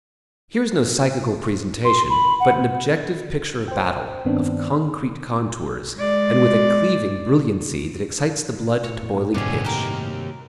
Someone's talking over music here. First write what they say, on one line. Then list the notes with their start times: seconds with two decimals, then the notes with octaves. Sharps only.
Here is no psychical presentation, but an objective picture of battle, of concrete contours, and with a cleaving brilliancy that excites the blood to boiling pitch.
1.85 C6
2.10 B5
2.40 F#5
3.68 C5 G5
4.25 G2 D#3 B3 C4 D4
5.96 G#3 D5
8.83 A2 C#5
9.34 G2 C3 D#3 B3 C#4 D4 G#4
9.65 A#3 F#4 G4 A#4